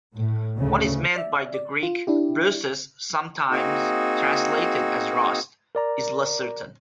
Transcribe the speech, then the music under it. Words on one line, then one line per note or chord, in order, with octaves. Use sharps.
What is meant by the Greek, "brosis", sometimes translated as "rust," is less certain.
A2
D2 C#3 A3
D5 E5
D5
F4
D4 E4 G4
A#3 C4 D#4 F#4 G#4
A#4 D5 A#5